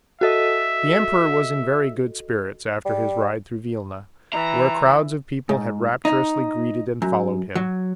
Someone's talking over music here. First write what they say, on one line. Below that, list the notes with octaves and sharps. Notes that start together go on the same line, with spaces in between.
The Emperor was in very good spirits after his ride through Vilna, where crowds of people had rapturously greeted and followed him.
F#4 A4 D#5 E5
G3
E3 A#5
G#2
D#4
F#2
F#3